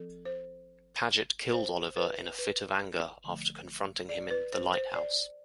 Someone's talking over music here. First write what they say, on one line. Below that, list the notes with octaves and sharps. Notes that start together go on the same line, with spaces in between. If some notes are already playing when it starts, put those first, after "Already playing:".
Padgett killed Oliver in a fit of anger after confronting him in the lighthouse.
Already playing: F3 C4 A4
C5
C5
B4
B4
D3 F3 A3
D5
B4
C5
C5
D5